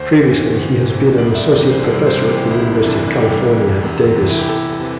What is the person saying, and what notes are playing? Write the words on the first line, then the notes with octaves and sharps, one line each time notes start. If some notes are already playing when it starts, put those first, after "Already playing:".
Previously he has been an Associate Professor at the University of California, Davis.
Already playing: D2 C5
C3 E3
D2
C3 E3
C2 D5
E5
C3 E3 D5
C5
C2 A4
C5
C3 E3
G4
C2 E4
D4
C3 E3
D4
E4
C2 G4
C3 E3
E2
C3 E3
E4
G4
E2 A4
C3 E3